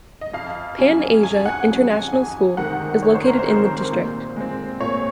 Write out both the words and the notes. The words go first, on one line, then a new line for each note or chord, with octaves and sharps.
Pan-Asia International School is located in the district.
D#5
F2 F5
C3 F#3 C#4 G#5
F2 G#5
F#5
C3 F#3 C#4 F#5
G#5
F2 G#5
C3 D#3 G#3 C4 F#5
F2 C#5
C5
A#4
C5
C3 D#3 G#3 C4
A#2
G#3 C4
A#2 C#5